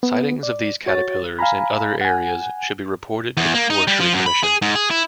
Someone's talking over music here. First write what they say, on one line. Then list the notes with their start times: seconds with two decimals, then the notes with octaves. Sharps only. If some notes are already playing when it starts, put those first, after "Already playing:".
Sightings of these caterpillars in other areas should be reported to the Forestry Commission.
0.03 B3
0.43 D5
0.86 F#4 C#5 A6
1.39 F5 G#5 A#5 B5
2.01 F#5 G#5
3.37 E2
3.55 A#3
3.70 D#4
3.88 G3
4.00 F3
4.13 F#2
4.26 B5
4.43 G#4
4.62 G#2
4.75 G#4
4.91 E4